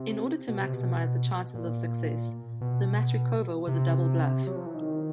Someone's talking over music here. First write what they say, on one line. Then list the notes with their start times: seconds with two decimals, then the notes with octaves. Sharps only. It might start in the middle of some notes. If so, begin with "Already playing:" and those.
In order to maximize the chances of success, the maskirovka was a double bluff.
Already playing: C3
0.48 B2
0.61 C3
0.73 B2
1.54 A#2
2.61 B2
3.67 C3
4.47 F#3
4.56 F3
4.66 E3
4.75 D#3